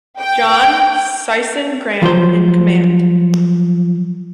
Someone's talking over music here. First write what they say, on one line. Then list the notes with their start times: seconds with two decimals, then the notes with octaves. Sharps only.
John Sisson Graham in command.
0.20 G5
2.03 F3 F#3 C5